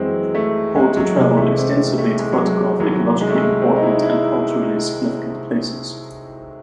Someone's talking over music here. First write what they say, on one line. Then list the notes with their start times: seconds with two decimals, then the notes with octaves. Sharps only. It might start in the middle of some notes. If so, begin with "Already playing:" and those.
Porter traveled extensively to photograph ecologically important and culturally significant places.
Already playing: F#2 E3 F#3 G#3 C4
0.35 A3
0.76 G#3
0.97 F#3
1.17 C2 C3 E3 G#3
1.37 A3
1.52 A3
1.57 C4
1.98 A3
2.19 G#3
2.32 F#3
2.45 G#3
2.80 C2 C3 D#3 F#3
3.21 G#3
3.29 A3
3.36 G#3
3.62 C4
3.76 D#4
3.82 E4
3.89 D#4
4.03 E4